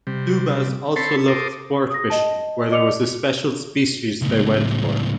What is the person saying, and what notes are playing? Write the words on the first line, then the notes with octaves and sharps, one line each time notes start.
Subas also loved sport fishing where there was a special species they went for.
C3 G3
C4 A4 C#5 A5 B5 C6
A4 A#4 C5 D6 D#6
D#6 A#6
D#5 A5
D5 D#5 D6 C#7 F7
C#2 A2